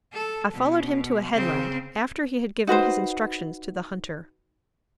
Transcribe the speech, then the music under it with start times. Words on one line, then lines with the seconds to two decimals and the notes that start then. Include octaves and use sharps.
I followed him to a headland, after he had given his instructions to the hunter.
0.13 A4
0.54 B2
1.33 C#3 C4
2.67 D#4 F#4 B4 C5